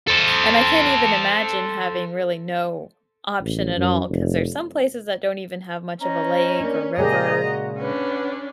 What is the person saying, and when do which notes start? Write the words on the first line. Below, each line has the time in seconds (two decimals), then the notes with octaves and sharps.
And I can't even imagine having really no option at all, 'cause there's some places that don't even have much of a lake or river,
0.07 A4 C5
3.41 A1
3.76 F#2
4.09 F1
6.00 C#4 C5 D#5 A#5
6.60 A#3 D4
6.97 A#2 C#3 G#3 G4 G#4 D#5 G#5 A#5
7.40 F#4
7.78 C#4 D4 B4 F#5